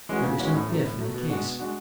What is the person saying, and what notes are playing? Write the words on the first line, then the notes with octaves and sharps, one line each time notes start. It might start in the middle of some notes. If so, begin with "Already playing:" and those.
'There is no "if" in the case.
E3 G#3 C#4 F#4
C#3
E3 G#3 C#4 F#4
A2
F#3 A3
A2
F#3 A3
B2
G#3 D4 F#4
B2
G#3 D4 F#4